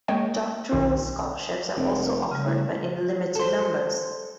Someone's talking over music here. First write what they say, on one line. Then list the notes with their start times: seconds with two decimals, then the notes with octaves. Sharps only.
Doctoral scholarships are also offered but in limited numbers.
0.08 G#3 A#3 C#5 D#5 G5
0.71 B1 D#3 G3 F4
1.76 F1
2.31 C#3 G3
2.47 A2
3.35 A4 C5